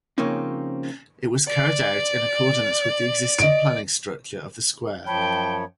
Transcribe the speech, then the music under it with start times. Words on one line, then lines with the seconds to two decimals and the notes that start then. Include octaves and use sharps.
It was carried out in accordance with the existing planning structure of the square.
0.18 C#3 F3 A#3 C4 C#4 D#4
1.49 D5
3.39 D#5 D7
5.07 F#2 F3 C#5 G5 A5 B5